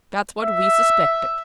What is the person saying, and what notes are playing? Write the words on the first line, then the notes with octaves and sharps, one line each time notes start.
That's what we suspected.
E5